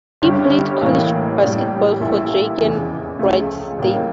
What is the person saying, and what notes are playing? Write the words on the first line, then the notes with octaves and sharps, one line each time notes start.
He played college basketball for Drake and Wright State.
G1 G2 D3 G3 C#4
A1 A2 E3 A#3
A1 A2 G3 D4
A#1 A#2 A3 E4 G4
F1 E2 C#3 E3
C#2 C#3 F3 A3
A1 A2 G3 A#3